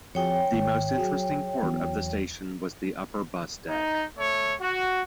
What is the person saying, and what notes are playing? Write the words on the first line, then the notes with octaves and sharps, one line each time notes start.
The most interesting part of the station was the upper bus deck.
F2 F#4 G#4 C#5 G5
G#1
F#3 G#4
E2 F#3
D#4
A3 C#5
F#4